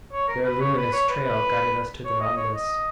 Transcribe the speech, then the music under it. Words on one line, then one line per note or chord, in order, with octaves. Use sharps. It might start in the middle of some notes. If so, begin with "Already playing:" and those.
Their luminous trail guided us to the Nautilus.
C#5
A#4
B4
C#5
B4
C#5
B4
B4
C#5
D#5
C#5
D#5